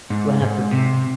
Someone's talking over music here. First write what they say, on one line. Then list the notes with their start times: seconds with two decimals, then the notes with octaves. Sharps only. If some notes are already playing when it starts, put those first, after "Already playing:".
we'll have to
0.10 G#2
0.41 G#2
0.71 C3